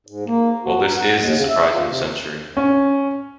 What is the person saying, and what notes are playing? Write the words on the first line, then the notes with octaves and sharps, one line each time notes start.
Well, this "is" the surprise of the century.
G#2
A#3
F#4
A#5
F#5
D#2
C#3
E5
F4
C3
C#4